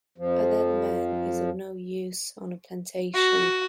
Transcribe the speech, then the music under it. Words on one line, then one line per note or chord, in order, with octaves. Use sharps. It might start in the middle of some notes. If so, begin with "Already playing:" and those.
A dead man is of no use on a plantation.
F2 F3
F#4